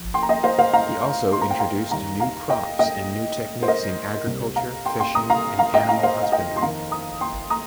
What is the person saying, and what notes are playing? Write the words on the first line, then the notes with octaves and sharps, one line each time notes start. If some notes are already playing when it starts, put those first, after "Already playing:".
He also introduced new crops and new techniques in agriculture, fishing, and animal husbandry.
Already playing: F3
G5 C6
A#5
D#5 G5
C5 F5
C5 F5
F5 A#5
C6
A#5
G5
F5 A#5
D#2 D#3 G3 A#3 F5 A#5
F5 A#5
D#5 G5
D#5 G5
C5
A#4 D#5
C2 C3 G3 A#3
F5 A#5
G5 C6
G5 C6
A#5 D#6
F5 A#5
F5 A#5
D#5 G5
F5 A#5
C5 F5
F5
D#5 G5
C6
F2 D#3 A#3 F5 A#5
A#5 D#6
G5 C6
A#5 D#6